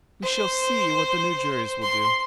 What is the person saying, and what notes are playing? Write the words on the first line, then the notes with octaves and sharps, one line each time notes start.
We shall see what the new juries will do.
C5
C6